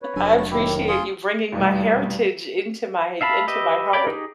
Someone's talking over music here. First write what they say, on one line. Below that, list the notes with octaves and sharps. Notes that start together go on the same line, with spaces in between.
I appreciate you bringing my heritage into my into my heart.
B4 C#5
F1 F#3 D4 A4 G#5
A3 A5
A2 D#3 E4 G4
F4 G#4 C6
F1 B1 E2 G3
E5 F5 A5 B5
G4 B4 D#5 E5
C#5 D5 G5 B5 D6
D#4 G4 G#4